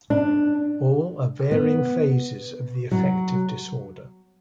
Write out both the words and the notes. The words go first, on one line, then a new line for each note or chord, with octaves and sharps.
All are varying phases of the affective disorder.
D4
B3
F#3